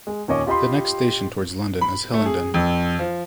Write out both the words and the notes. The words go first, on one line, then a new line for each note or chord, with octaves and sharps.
The next station towards London is Hillingdon.
G#3
D#2 A#2 C#4 C#5 D#5 D6
F4 G4 D#5 G5 B5 C6
B5
A3
G#4
F2
F3